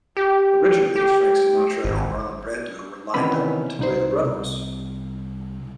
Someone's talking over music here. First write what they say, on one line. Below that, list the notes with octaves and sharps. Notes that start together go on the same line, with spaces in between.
Originally Frank Sinatra and Marlon Brando were lined up to play the brothers.
G4
G4
G#1
C3 D#3 E3 B3 C#4 B5
C2 D#4 C5
C2